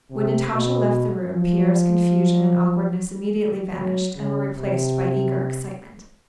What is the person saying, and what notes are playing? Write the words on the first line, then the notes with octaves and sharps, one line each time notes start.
When Natasha left the room Pierre's confusion and awkwardness immediately vanished and were replaced by eager excitement.
C3
B2
F3
F#3
C#3
C3